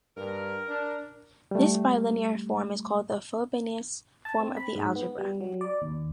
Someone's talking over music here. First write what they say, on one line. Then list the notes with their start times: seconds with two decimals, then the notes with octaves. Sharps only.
This bilinear form is called the Frobenius form of the algebra.
0.17 G2 A#4
0.68 D4
1.51 G3 A3
4.25 A5
4.40 C4
4.57 B5
4.75 G#2
4.96 B3
5.18 G3
5.41 F#3
5.61 D5
5.82 D#2